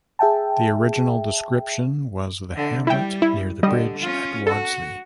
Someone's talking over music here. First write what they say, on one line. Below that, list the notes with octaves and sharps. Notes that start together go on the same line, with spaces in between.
The original description was "the hamlet near the bridge at Wadsley".
G#4 E5 G5 A5
D3
G3 E4 G5
E4
D3 G3 D#5
C#4 F4
F#4 A4